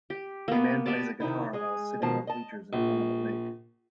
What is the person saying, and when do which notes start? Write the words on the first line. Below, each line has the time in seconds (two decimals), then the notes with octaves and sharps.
A man plays a guitar while sitting on bleachers in front of a lake.
0.10 G4
0.48 A#3 B3
0.86 B3 G4 D5 A5
1.20 C3 D#3 D#4 E4
1.53 G#3 G#4 D#5
2.02 B2 D#3 F3 A5
2.27 D#5 A5
2.73 A#1